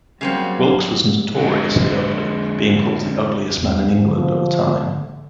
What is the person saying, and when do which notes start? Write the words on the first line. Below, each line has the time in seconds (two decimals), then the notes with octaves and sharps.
Wilkes was notoriously ugly, being called the ugliest man in England at the time.
0.21 C#3 F#3 G3 A#3 C4
1.36 D3 G#3
3.57 E2
4.04 D3 F3